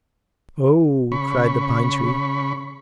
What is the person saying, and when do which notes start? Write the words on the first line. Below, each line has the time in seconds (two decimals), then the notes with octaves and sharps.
"Oh!" cried the pine tree.
1.12 C#3 B5 C#6